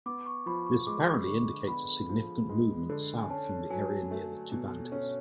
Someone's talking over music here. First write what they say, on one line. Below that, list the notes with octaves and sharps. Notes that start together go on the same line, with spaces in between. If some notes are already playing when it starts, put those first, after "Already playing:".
This apparently indicates a significant movement south from the area near the Tubantes.
B3 D6
C#6
F3 B5
C#6
G#3 D6
D3 C#6
B3 B5
F3
G#3
D3
G#5
C#4 A5
F#3 G#5
A3
B2
C#4